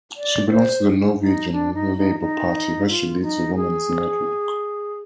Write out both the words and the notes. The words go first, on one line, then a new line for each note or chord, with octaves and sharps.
She belongs to the Norwegian Labour Party, where she leads the women's network.
D5
C5
D#4
D4
D#4
D#4
D#4
F4
D#4
G#4